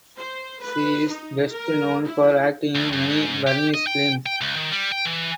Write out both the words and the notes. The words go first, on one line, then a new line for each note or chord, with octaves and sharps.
She is best known for acting in many Burmese films.
C5
B4
D#4
A#4
E4
D2
F#2
G#2
G4
D#5
G5
G5
C#2
D#3
G3
G5
E3